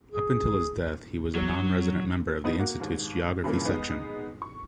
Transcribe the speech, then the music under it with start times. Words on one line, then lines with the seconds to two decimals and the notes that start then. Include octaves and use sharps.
Up until his death he was a non-resident member of the Institute’s geography section.
0.12 G#4
1.35 F#3
2.44 A2 B3 D#4
2.59 A#3 F#4
2.80 D#2 G#2
3.44 G2 A#2 C#3 E3 A3 A#3
3.65 G#3 B3 D#4
4.42 C#6